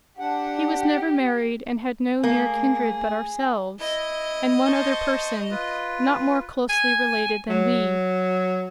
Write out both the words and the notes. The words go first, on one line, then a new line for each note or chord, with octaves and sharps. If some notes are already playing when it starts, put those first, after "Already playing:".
He was never married, and had no near kindred but ourselves and one other person, not more closely related than we.
D4 G4 F#5
A3 A#3 G#4
E4 D#5
C5 A5 C#6
F4 B4
G#5
F#3